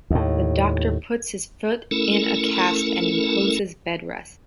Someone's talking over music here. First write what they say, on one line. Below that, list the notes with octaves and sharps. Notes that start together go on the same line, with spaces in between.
The doctor puts his foot in a cast and imposes bed rest.
D#2 A2
A3 C#4 E4 A4 A#4